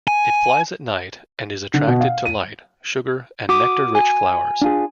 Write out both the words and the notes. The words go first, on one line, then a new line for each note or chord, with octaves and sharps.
It flies at night and is attracted to light, sugar and nectar-rich flowers.
G#5
D3
B2
F5
D#7
F#4 D6 D#6
G#5
D4 F4 G#4